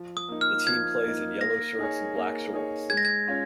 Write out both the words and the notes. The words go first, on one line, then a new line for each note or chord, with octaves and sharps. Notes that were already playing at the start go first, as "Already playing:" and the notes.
The team plays in yellow shirts and black shorts.
Already playing: F3
D#6
A#3 D#4
F6
F3 G#6
A#3 D#4
A#3 A#6
D#4 G#4 C#5
A#3
D#4 G#4 C#5
G#3 G#6
A#6
G#6
C#4 F4 C#5